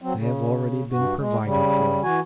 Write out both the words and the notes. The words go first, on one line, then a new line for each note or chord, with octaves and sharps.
They have already been provided for.
F#3 C4
C#3
G2 F#4
G#3
C#3 G3
E3 F#4 G#5